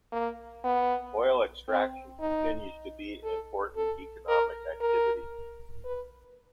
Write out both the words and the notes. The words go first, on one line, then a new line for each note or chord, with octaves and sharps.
Oil extraction continues to be an important economic activity.
A#3
B3
C4
D#4
A4
A4
A#4
A#4
B4